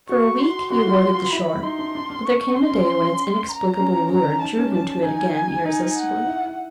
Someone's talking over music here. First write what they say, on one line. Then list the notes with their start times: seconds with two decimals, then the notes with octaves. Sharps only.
For a week he avoided the shore, but there came a day when its inexplicable lure drew him to it again irresistibly.
0.09 F#4 C#6
0.40 C6
0.70 F#4 C6
0.87 F4
1.32 E4 B5
1.63 D#4 C6
1.79 D4
1.95 D4
2.10 D4
2.25 C#6
2.56 D4 C6
2.72 C#4
3.18 D4
3.49 A#5
3.79 C#4
3.95 D4
4.10 C#4 A#5
4.41 D#4 A5
4.57 C#4
4.72 D4
5.03 D#4 G#5
5.65 D#4
5.96 F#5
6.27 E4
6.46 E4